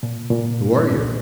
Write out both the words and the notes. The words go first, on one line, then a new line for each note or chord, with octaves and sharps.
"Who are you?"
A#2
A#2